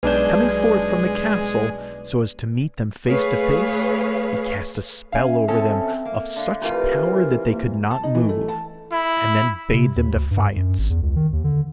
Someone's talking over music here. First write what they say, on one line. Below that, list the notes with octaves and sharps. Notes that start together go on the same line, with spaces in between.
Coming forth from the castle so as to meet them face to face, he cast a spell over them of such power that they could not move, and then bade them defiance.
B1 G#3 D4 B4 D5 G6
A3 G#4 B4 C#5 F5
C#4 E5 F5 G#5
B2 C4 C#4 A4
A#3
D3 F5
C3 E3 A3 F4 A#4
A#3
A5
D#4
E3
A3
A5
E4
C3
D#2
D2
G2
F#2
G#1
E2
C#2
D#3
D#2
D3